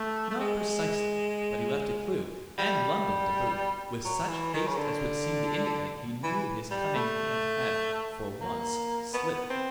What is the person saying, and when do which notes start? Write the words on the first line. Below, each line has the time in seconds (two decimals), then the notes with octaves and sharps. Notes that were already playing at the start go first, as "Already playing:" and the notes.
"Not precisely: but he left a clue--and London, to boot--with such haste as would seem to indicate he knew his cunning hand had, for once, slipped."
Already playing: A3
0.30 A3
0.40 G#3
2.59 G3
4.05 F#3
4.28 E3
4.54 D#3
4.66 C#3
4.77 D3
6.23 E3
6.71 G3
6.95 A3
8.41 A#3
9.14 B3
9.50 C4